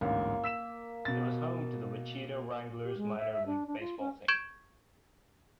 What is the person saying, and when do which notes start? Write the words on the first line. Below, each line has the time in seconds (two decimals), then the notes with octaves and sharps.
It was home to the Wichita Wranglers minor league baseball team.
0.01 A1 D2 G#2 A#3
0.44 E6 B6 E7
1.05 B2 A6
2.84 G4
2.97 G#3
3.18 E5
3.33 E5
3.46 D4
3.67 D4
3.80 F4
3.99 C#4
4.28 C#6 G6 G#6 D7 E7